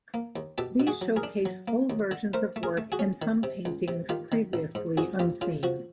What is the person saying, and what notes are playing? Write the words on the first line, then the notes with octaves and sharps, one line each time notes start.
These showcase full versions of work and some paintings previously unseen.
A#3
D#2
B2 G4 A4
B2
F#4 G#4
F#3
G#4 A#4
D4
F#3
A#3
D#2
D3
A3 A#4 C5
A3
G#4 A#4
A3
F#4 G#4
C#4
D#3
C3
C#2
C3
D#3 F4 G4
D#3
A1
G#2
F2 F#4 G#4
F2 F4 G4
C#3 F4
F3 F#4